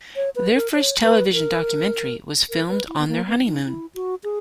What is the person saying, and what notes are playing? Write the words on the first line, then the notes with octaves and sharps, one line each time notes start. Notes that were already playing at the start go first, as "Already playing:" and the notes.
Their first television documentary was filmed on their honeymoon.
C#5
B4
A#4
C#5
B4
A#4
A#4
B4
E4
B3
A#3
B3
D#4
E4
F#4
G#4